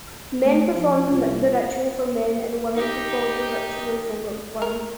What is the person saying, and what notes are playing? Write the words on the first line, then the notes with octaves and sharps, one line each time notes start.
Men performed the ritual for men, and women performed the ritual for women.
A3
F3
C2 F4
D#4 G4
A#4